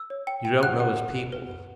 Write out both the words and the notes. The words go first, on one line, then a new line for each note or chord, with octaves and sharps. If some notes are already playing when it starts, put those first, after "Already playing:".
You don't know his people.
Already playing: E6
C#5
G5
G5
F#5 F#6
F#5
F#5
F#5
B4
B4